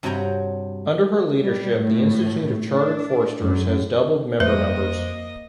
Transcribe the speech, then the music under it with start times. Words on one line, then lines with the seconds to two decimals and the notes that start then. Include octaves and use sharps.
Under her leadership the Institute of Chartered Foresters has doubled member numbers.
0.03 G2 C3 F#4 C#5 G5 A#5
1.43 G3
1.77 A2
2.73 D4
3.43 F#2
4.40 F2 A#3 B4 C5 D#5 E5